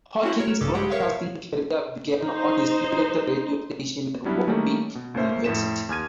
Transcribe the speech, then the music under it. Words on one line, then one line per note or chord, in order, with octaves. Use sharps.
Hawkins' broadcasting career began on a student radio station at Warwick University.
C4 C#4 E4 F#4
A#4 C#5
A#1 G2 C#3 A4 D6
G3 G#3 G4 F#5
A#4 C#5 E5 F5
D#4 C5
F#3 G3 B3 C#4 D4 E4
D#3 G3 A3 A#3 C#4 D#4
B2
C#2 A#3 C#4 C5 E5
F2 A2 B6 E7
D#2 G#5 F6 G#6 D#7